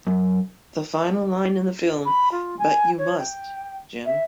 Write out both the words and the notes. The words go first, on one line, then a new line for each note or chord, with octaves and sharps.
The final line in the film But you must, Jim.
F#2
B5
F4
G#5
C#5
G5
E5